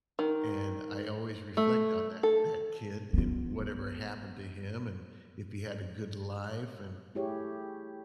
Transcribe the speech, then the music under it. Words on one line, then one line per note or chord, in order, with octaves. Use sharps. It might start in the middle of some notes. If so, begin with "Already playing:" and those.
And I always reflect on that that kid and whatever happened to him and if he had a good life and
D#3
A3
A4
B3 F4
A3 E4 G4 G#4 C#5